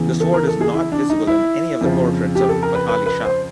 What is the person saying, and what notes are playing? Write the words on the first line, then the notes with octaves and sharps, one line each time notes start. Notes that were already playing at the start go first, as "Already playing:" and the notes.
The sword is not visible in any of the portraits of Fathali Shah.
Already playing: E2 C#3 E3
A4
A#4
A4
G#4
E4
D4
D#4
E4
F2 C#3 F3
G4
A4
A#4
B4
B4
B4
C5